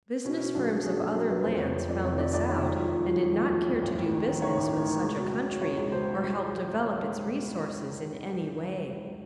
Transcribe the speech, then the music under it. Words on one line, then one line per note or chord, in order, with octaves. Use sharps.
Business firms of other lands found this out and did not care to do business with such a country or help develop its resources in any way.
B2 C#4
B2
B1 D4
B2
B2 G#4
B1 A4
B2 A#4
B1 B4
B4
F2 C5
F1 C#5
F1
F2 D5
C3 C#5
D#3 D5
F2 D5
D#3 C#5
E1
F3
F3
F3
F3
D2
F3
D2
A1
A1
D#3
D#3
D#3 C#5
A1
D#3
D#3
C#2
B2
B2
B2
B2 C#5
C#2
B2 C5